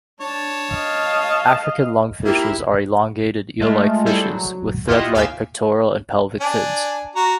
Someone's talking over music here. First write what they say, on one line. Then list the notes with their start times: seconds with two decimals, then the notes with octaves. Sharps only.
African lungfishes are elongated, eel-like fishes, with thread-like pectoral and pelvic fins.
0.21 D4 C#5 A5
0.73 D#5 F5
2.25 A#3 E4 G4
3.61 G#3 A3 F4
4.06 G3 E4 G#4 A4 C5
4.25 F#3
4.87 E4 F4 G4 D#5 E5 F#5
5.14 D#2 G4 F5 G5 G#5 E6
6.41 D4 G#5
7.16 F#4 A#5